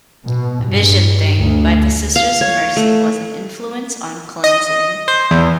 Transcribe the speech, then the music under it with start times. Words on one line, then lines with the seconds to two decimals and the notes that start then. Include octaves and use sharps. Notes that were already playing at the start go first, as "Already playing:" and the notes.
"Vision Thing" by The Sisters of Mercy was an influence on "Cleansing".
0.25 B2
0.63 G2
1.36 D2
2.16 F5
2.41 C#5
2.76 A3
4.44 D#5
5.08 C5
5.31 E2